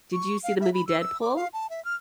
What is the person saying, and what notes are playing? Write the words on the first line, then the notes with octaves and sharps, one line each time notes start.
did you see the movie Deadpool?
C#6
F5
E5
B5
E6
E6
D6
F5
A5
E5
F6